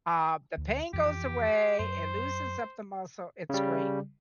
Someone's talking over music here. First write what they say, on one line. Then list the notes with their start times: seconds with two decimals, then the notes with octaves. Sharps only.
Uh, the pain goes away, it loosens up the muscle, it's great.
0.57 D2
0.93 F2 E3 F3 G4
1.79 F#2 C5
3.50 C#3 G3